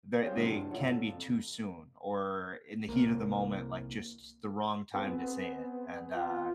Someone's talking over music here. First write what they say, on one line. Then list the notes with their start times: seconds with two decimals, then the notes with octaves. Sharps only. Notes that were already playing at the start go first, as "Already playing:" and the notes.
ther they can be too soon or in the heat of the moment, like, just the wrong time to say it, and, uh
0.22 G4 G#4 C5 C#5 F5
0.34 D#3 F3 F#3 G#3 E4 F4
0.47 G2 A5
0.71 A#2 E4 F4 A4 C#5 F#5
0.88 A4
1.05 F2
2.88 C2 A#3
4.94 B3 C4 G#4
6.15 F4